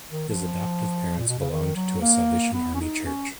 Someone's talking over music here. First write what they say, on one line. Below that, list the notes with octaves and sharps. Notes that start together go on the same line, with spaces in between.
His adoptive parents belonged to a Salvation Army church.
D#3
F3
A#2
B2
C#3
D#3
F#3
A#3
B3
C#4
D#4
C#4